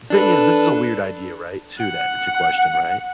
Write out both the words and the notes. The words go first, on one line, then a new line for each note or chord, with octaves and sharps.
the thing is, this is a weird idea, right? To that to question, right?
D4 A4 B4
F#5